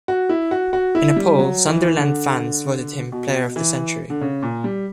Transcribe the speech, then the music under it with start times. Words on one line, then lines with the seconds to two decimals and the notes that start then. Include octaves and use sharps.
In a poll Sunderland fans voted him player of the century.
0.08 F#4
0.29 E4
0.51 F#4
0.73 F#4
0.95 E4
1.16 G3
1.39 F#3
1.67 E3
1.97 D3
3.12 B2
3.56 E3
4.10 D3
4.21 C#3
4.43 A#2
4.64 G3